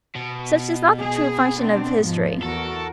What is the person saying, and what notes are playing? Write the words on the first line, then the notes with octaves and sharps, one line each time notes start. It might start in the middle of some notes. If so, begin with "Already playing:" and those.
Such is not the true function of history.
B2
G#4
C4 D4
G#2 F3
E2 F#4 A4 A#4